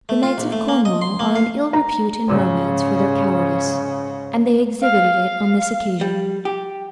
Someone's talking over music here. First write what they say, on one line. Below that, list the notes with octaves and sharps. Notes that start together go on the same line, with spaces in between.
The knights of Cornwall are in ill repute in romance for their cowardice, and they exhibited it on this occasion.
A3
F4
A#1
A3
A#3
D#5
C6
A#3
F5
A#5
G#2 C#3
F5
G3
G4